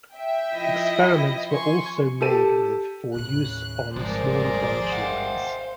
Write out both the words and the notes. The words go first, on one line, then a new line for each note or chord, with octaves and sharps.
Experiments were also made with for use on smaller branch lines.
E5 G5
F3 E4 D#5
G#5 C6 C#6
G4 A4 D#7
D#2 A2 C#3 F#6
G#1 D#2 F3 G3 G#4 A#4 C5 D5
F5 F#5